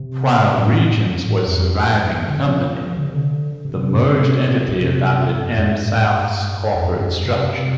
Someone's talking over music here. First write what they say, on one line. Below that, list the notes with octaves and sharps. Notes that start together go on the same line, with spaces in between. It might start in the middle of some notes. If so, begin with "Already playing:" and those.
While Regions was surviving company, the merged entity adopted AmSouth's corporate structure.
Already playing: C3
A2
A2
G2
F2
G2
G2
D3
F3
D3
C3
D3
C3
A2
C3
C3
G2
F2
A2
G2
A2
G2
A2
G2
F2
G2
G2
F2
G2
C3
C3